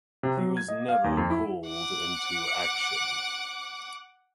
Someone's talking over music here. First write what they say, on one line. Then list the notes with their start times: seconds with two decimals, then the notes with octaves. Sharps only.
He was never called into action.
0.23 C3
0.37 F#3
0.57 G#6
0.68 D#5
0.89 F5
1.04 D#2
1.17 F2
1.30 E4
1.67 F#5 D6